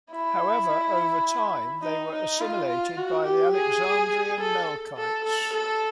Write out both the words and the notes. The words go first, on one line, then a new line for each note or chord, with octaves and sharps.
However, over time, they were assimilated by the Alexandrian Melkites.
E4
D#4
D#4
F4
F4
F#4
G4
G#4
A4
A4
A4
A4